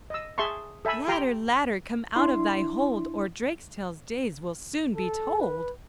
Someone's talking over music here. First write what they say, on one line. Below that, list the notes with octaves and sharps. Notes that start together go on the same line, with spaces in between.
'Ladder, Ladder, come out of thy hold, Or Drakestail's days will soon be told.'
D#5 E6
G#4 E5 A5 C6 C#6
A4 E5 G#5 B5 E6
G4 G5 A#5 C6
D4 E4 C6
A4
B4